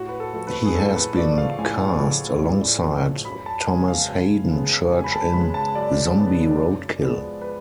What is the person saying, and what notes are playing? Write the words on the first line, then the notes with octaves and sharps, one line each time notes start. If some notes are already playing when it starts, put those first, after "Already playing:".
He has been cast alongside Thomas Haden Church in "Zombie Roadkill".
Already playing: A2 F#4
B4
A4
F3 A3
B4
G#4
A2 A4
B4
F3 A3 D5
F5
A2 G#5
F3 A3
A2
F3 A3
F#2 B5
A5
C#3 G#3 B3 G#5
F5
F#2
C#3 G#3 B3
F#2 G#5
B5
A5
C#3 G#3 B3 B5
A5
F#2 D5
C#3 G#3 B3
F#2
F3 G#3 B3
B4